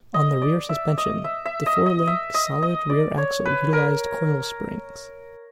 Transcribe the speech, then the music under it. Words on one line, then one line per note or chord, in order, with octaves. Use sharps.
On the rear suspension, the four-link solid rear axle utilized coil springs.
D#5
D5
E5
D#5
E5
E5
D#5
D#5
E5
D#5
D#5
D5
C#5
B4
A#4